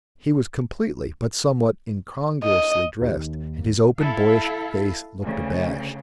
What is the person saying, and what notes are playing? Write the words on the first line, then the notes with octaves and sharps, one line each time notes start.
He was completely but somewhat incongruously dressed, and his open, boyish face looked abashed.
D#5
D#2
E4 A4 F5
D2 C#3